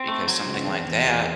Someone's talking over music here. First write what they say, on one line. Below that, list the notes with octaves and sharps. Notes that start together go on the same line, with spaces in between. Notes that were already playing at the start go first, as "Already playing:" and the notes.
because something like that.
Already playing: C4
A3
F#3
C#2
E2
E2
E2